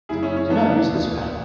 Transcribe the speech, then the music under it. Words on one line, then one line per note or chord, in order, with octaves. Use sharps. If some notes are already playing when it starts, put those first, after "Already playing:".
Do not use this pen.
F#1 F#2 C#3 E4 G#4
C#4 E4
C#4
B3 D4
E1 D2 C#3 E3